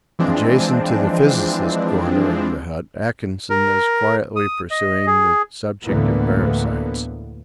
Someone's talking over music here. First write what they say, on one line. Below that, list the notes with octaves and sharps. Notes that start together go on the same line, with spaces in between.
Adjacent to the physicist's corner of the hut Atkinson is quietly pursuing the subject of parasites.
E3 F3 G#3 C4 D4
A#4
D#6
D#5
G#4
D2 A2 D3 E3 A#3 B3